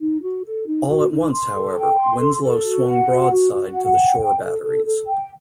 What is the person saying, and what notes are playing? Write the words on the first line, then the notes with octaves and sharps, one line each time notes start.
All at once, however, Winslow swung broadside to the shore batteries.
D#4
F#4
A4
D#4
F#4
D#4
C6
A4
G5
C6
A4
A4
F#4
F#5
F#4
F#4
F#4
F#5
G5
G5
A4
A4
A4
G5